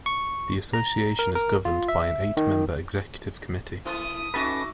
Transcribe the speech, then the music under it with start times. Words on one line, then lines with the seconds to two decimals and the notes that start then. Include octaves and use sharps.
The association is governed by an eight-member Executive Committee.
0.06 C#6
0.73 A#5
1.19 A#4
1.35 A#4
1.65 F4
1.88 E5
2.37 D#3
3.85 A3 A#3 E4 D#6
4.34 C#4 D#4 F#4 A4 B4 E5 D6 A#6